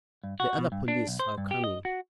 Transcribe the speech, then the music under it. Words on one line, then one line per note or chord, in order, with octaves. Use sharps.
The other police are coming.
G2
F#4
B2
G2
D4
B1
C5
G2
G4
D#5
F#4